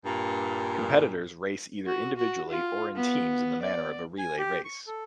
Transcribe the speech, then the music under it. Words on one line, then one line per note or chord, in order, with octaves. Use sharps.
Competitors race either individually or in teams in the manner of a relay race.
G2 A#2
F#4
F#4
F4
B3
D5
G#5
G4
C#6
A4